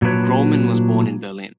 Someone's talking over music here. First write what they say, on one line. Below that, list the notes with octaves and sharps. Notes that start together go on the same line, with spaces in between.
Grolman was born in Berlin.
A#2 F#3 D4 B4 C#5